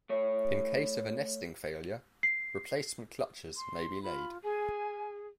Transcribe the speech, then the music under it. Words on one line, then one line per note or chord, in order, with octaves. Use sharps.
In case of a nesting failure, replacement clutches may be laid.
A3 C#5
C7
C6
F4 B5
G#4 G#5